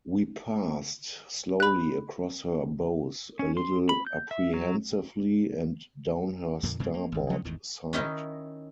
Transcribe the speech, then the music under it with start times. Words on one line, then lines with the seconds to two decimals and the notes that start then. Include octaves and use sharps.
We passed slowly across her bows, a little apprehensively, and down her starboard side.
1.60 B5 F#6
3.39 C#4
3.57 C6
3.89 B5
4.07 G6
4.31 E5
4.54 F#3
6.63 F2 A#2 D3 A#3
6.80 F#2 B2 G#3 C4
6.94 A#3
7.12 G#1 D#2
7.30 F3 G3 C#4
7.45 G#1 E2 A2 D#3
7.93 D#3 C#4 D#4 E4 C#5 D#5